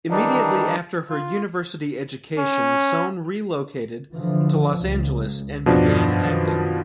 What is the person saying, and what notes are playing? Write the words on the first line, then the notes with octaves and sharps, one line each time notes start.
Immediately after her university education Sohn relocated to Los Angeles and began acting.
D#3 E3 G3 D4 D#4
F4
C#4
D3 E3 F3
C#2
E2 G2 B2 F3 D4
F#2 D#3